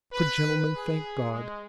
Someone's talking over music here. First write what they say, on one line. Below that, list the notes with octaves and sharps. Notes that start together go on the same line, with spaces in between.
Good gentlemen, thank God!
B4
G#4
G#3